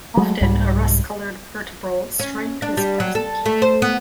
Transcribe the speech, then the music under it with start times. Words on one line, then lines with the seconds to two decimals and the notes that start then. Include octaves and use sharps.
Often a rust-colored vertebral stripe is present.
0.17 F#3 G#3 A3
0.41 C2 G#2 G3
2.19 C#4
2.62 D4
2.77 G3
3.00 F#3
3.15 A4
3.46 A3
3.62 C5
3.82 B3